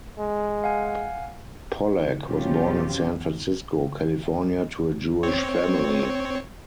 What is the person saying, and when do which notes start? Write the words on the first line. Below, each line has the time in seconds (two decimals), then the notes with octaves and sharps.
Pollak was born in San Francisco, California, to a Jewish family.
0.19 G#3
0.64 F5 F#5 G#5
2.24 B2 F#3 C4 C#4 F4 G4
5.23 C4 C#5